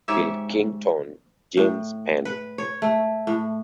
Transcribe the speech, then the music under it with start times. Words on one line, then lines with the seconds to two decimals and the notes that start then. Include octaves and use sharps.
Pilkington, James Penn.
0.08 G#2 G4 C#5 E5
1.57 A2
2.25 B4
2.58 C#5
2.82 A3
3.27 A2